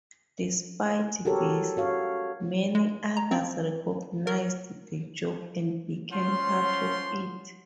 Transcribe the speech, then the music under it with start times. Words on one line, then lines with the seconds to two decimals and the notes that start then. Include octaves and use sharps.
Despite this, many others recognised the joke and became part of it.
1.25 F#4 G4 A4 A#4 C#5
1.77 F#4 C#5 F5
2.75 G#3
3.17 A#5
3.31 C4
4.27 A#4
6.11 F3 C#4 F#5 C6